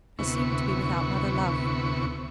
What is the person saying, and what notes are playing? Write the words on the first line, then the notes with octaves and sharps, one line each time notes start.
I seemed to be without mother-love.
D2 C3 B3 E4 C#6